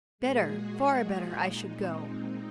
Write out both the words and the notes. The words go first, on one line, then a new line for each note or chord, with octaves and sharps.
Better--far better--I should go.
A#2 G#3 G#4
F#4
F4
A#2 G#3 D#4
C4
D#4